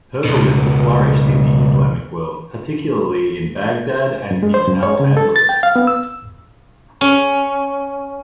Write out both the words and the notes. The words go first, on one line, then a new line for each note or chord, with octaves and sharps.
Herbalism flourished in the Islamic world, particularly in Baghdad and in Al-Andalus.
C#2 B2
F#2
G#3
C5
F#2
C#5
C#3
A4
A6
G5
F5
B3
E6
C#4